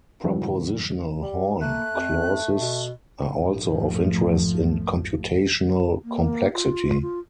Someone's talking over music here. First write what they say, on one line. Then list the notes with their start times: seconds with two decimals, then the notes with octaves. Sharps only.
Propositional Horn clauses are also of interest in computational complexity.
0.24 F2 G#2 C#3 E3 F#3 G3
1.22 G3
1.61 A3 A#3 F#6
1.94 F2
2.60 B2
3.27 A#1 F2 G#2 F3 A3
6.04 A#3
6.54 F4
7.02 F4